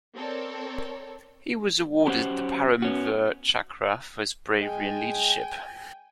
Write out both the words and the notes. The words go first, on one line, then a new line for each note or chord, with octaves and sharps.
He was awarded the Param Vir Chakra for his bravery and leadership.
C4 A4 A#4 C#5 D5
F#3 C#4 G4 C5 F#5
B3 C#4 F#4
G#3 G5 G#5